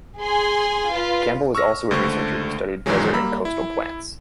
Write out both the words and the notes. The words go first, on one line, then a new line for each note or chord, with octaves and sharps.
Campbell was also a researcher who studied desert and coastal plants.
G#4 G#5 C6
F4 B4
C#6 E6 F6 A#6
C#2 D3 A3 C5 C#6
A#1 F#2 D#3 E3 F#3 G#3
G3 A#3 A#5 B5 E6
E4